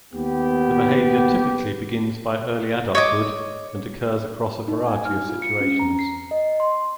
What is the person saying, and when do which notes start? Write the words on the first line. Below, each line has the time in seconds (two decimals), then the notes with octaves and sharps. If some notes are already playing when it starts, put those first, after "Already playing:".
The behavior typically begins by early adulthood, and occurs across a variety of situations.
0.13 D#2 B3 G4
2.95 C#5 D#5 D6
4.68 D#4
4.87 G#5
5.05 F6
5.29 F4
5.42 C#7
5.60 C#4
5.79 A#5
5.99 C7
6.31 D#5
6.60 C6